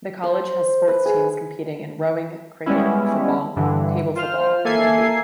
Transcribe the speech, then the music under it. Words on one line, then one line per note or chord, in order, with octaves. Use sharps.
The college has sports teams competing in rowing, cricket, football, table football and rugby.
C5
B4
G#4
G3 G#3 B3 C#4 E4
G2 D3 E3
F4 C5 F6
A#3 A4 E5 G#5 G#6 C7